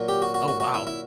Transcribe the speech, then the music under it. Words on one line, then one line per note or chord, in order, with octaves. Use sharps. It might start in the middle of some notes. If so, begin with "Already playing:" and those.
Oh, wow.
Already playing: A#2 F#3
G4
F#4
F#4
F#4
F#4
E4
E4